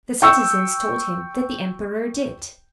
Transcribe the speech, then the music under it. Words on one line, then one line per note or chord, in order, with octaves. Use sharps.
The citizens told him that the emperor did.
G5 C#6 E6